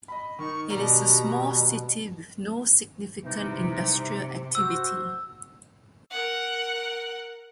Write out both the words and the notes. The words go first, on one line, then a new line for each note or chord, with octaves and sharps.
It is a small city with no significant industrial activity.
D#5 B5
D#3 D#4 C#6
B2 G3 A#5
C3 E3 G3 D#4
F#4 C5 E6
A#4 F#5